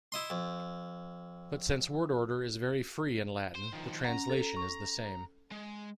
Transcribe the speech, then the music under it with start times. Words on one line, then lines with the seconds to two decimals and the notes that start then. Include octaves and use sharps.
But since word order is very free in Latin, the translation is the same.
0.12 E4 D#5 C6
0.30 F2
3.55 C5
3.72 D#3 F3
4.05 C#4 F#5 A#5
4.30 A4
4.56 C#6
5.52 G#3